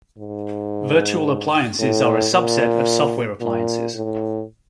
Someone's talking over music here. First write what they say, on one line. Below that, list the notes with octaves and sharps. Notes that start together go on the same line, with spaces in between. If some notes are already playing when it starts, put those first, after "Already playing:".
Virtual appliances are a subset of software appliances.
G#2
A2
A#2
A#2
A2